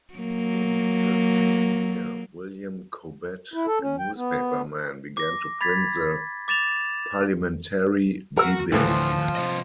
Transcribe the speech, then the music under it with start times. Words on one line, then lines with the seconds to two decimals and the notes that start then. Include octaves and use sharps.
In the same year, William Cobbett, a newspaperman, began to print the "Parliamentary Debates".
0.14 F#3 A#3
3.54 E4
3.66 A4
3.81 C#4
3.99 G5
4.16 B3
5.17 D6 A#6
5.61 B5 G#6 A6 B6
6.48 D6 A6 E7 F7
8.37 F#4 A#4 E6
8.72 D2 A2 E3 F3
9.36 C3 D#5